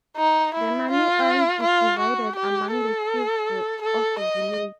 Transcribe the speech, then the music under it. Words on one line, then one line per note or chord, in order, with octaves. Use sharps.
The money earned is divided among the chiefs of the village.
D#4
E4
F4
F4
F#4
G4
A4
A4
D#5